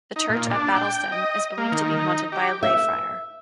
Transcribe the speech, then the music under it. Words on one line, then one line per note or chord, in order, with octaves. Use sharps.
The church at Battlesden is believed to be haunted by a lay friar.
D#4
A#2
D4
G5
D#5
A#3
D#3
D#4
G4
E5